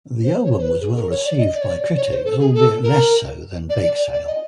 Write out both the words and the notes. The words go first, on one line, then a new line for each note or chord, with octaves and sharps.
The album was well received by critics, albeit less so than "Bakesale".
C5
C#5
C5
B4
G#4
A#4
C#5
D5
D#5
D5
C#5
D5
D5
C#5
C5
A4
G#4
A4
A#4
D5
D5
D5
D5
D#5